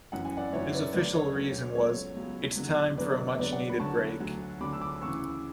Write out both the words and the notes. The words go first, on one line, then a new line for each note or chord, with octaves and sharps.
His official reason was "It's time for a much needed break".
F#2 E3 F#5
G#5
D5 F#5
F#2 E3 C#5 E5
B4 D5
D2 D3 F#3 B4 D5
A4 C#5
D2 D3 F#3
C#2 B2 F#3 A4 C#5
C#2 B2 F#3
E2 D3 F#3
E2 D3 F#3 B4 D5
E2 D3 F#3 B4 D5
D5 F#5
B5
E2 D3 F#3 A5 C#6
D2 D3 F#3
D2 D3 F#3 B5 D6
E6
B5 D6
D2 C#3 E3 C#6 E6